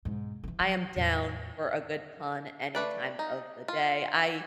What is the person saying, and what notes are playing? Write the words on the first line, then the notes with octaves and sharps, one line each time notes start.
I am down for a good pun any time of the day. I
G#2 B2
D#3 E3
F#3
E2 A2
A3 B4 D5
D#4
F4